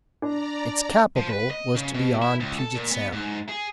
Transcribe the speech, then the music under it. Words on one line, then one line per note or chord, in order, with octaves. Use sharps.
Its capital was to be on Puget Sound.
D4 D5 A#5
F3
B4
D#5
C#3
B2
E4
C#2
A4
A#2
B3
G#2
G#4